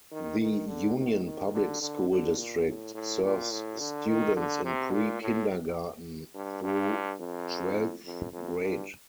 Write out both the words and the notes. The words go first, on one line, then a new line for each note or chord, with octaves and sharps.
The Union Public School District serves students in pre-kindergarten through twelfth grade.
D#3
D#3
D3
D#3
D#3
D3
D3
D3
A#2
A2
A2
A#2
A2
D3
D#3
D3
C3
A#2
A2
G2
G2
F2
F2
F2
G2